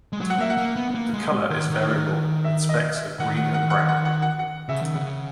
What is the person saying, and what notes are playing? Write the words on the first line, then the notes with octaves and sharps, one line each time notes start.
The color is variable, with specks of green and brown.
G#3
F#3
F#5
A#3 E5
F#5
A#3
B3
B3
A#3
G#3
D#3
D#3
E5
D#5
E5
D#3 F#5
F#5
F#5
F#5
F#5
F#5
F#5
F#5
C#3 E5
D#3
C#3 F#5